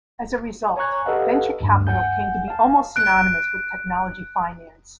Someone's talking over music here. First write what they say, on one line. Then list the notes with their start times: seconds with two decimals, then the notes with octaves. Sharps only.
As a result, venture capital came to be almost synonymous with technology finance.
0.77 C#5 G#5 A#5 C#6 F#6 G#6
1.05 G4 A4 B4 D#5 F5 F#5
1.61 D2 G2
1.87 F#5 G#5 G6
2.48 F5 A5
2.96 F#6 D7